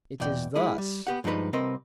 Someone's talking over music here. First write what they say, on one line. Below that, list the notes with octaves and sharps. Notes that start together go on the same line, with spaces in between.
"It is thus."
E2 B2 D5 G5
G#3 E4 G#4
G3
B3 G4 F#5
G2 F3 G#3 D#4 B4 B5
C2 C3 C4 A#4 B4 D#5